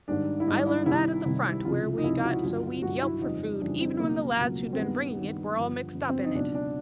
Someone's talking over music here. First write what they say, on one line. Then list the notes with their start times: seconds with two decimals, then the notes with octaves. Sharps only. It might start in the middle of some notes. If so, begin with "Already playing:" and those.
"I learned that at the front where we got so we'd yelp for food even when the lads who'd been bringing it were all mixed up in it."
0.08 G#2 D#3 G3 D4
0.40 E4
0.47 G#2 D#3 G3 D#4
0.67 E4
0.86 C2 C3 D#3 G3 E4
1.25 C2 C3 D#3 G3
1.65 C#2 C3 F3 F4
1.98 D#4
2.03 C#2 C3 F3 E4
2.24 F#4
2.43 G2 D3 F#3 F4
2.63 F4
2.82 G2 D3 F#3 F#4
3.02 E4
3.21 F2 C#3 E3 G3 D#4
3.60 F2 C#3 E3 G3 D4
3.80 C4
3.99 C#2 B2 F#3 A#3
4.39 C#2 B2 F#3
4.73 C4
4.78 G2 D#3 G3 B3
5.18 G2 D#3 G3
5.57 G2 D3 F3
5.95 G2 D3 F3
6.08 C4
6.25 D#4
6.35 C#2 B2 F#3 D4
6.54 D4